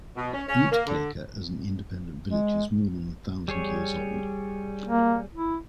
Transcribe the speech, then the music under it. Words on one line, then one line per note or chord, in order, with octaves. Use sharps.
Uitkerke, as an independent village, is more than a thousand years old.
B2
C#4
C#4
A#3
D3
G#3
G3 G#4 C#5
A#3
E4